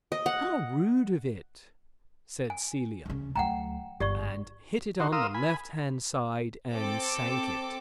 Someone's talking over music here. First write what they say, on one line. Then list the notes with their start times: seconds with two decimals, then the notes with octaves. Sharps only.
"How rude of it," said Celia, and hit it on the left-hand side, and sank it.
0.12 D#5
0.26 F#5
2.50 G#5
3.06 D2 C#3
3.35 D2 F#3 F#5 G5 A#5
4.00 G1 G4 D5 C#6
5.00 D#3 F#4 C6
5.12 A#4 F5 C6 D#6 E6
5.34 G#5 B5
6.72 C4 A4 D6